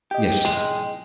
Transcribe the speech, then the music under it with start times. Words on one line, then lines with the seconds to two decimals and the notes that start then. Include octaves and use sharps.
"Yes, sir."
0.11 G4 D#5 G5
0.45 B1 G#2 G#3